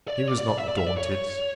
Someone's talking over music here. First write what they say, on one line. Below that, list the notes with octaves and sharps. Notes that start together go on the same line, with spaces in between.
He was not daunted.
D5
C#5
D5
D5
D5
E5
D5
E5
D5
C#5